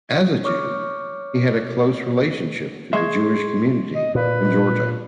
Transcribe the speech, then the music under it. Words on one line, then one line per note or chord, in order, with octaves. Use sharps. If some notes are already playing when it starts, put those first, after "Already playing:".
As a Jew, he had a close relationship to the Jewish community in Georgia.
C#5 C#6 D6 F6
G#3 E5 C6 C#6 G#6
D#5
A#2 B4